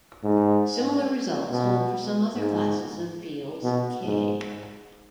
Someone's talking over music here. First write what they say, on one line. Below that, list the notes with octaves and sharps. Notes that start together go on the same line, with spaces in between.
Similar results hold for some other classes of fields "k".
G#2
B2
G#2
B2
G#2